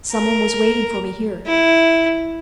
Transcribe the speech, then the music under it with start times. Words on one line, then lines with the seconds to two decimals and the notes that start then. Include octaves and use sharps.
"Some one was waiting for me here."
0.12 A#4
1.47 E4